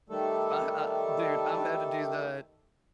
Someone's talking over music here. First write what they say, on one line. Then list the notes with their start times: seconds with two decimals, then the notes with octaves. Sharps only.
uh, uh dude, I've had to do that.
0.09 D#3 G3 A3 A4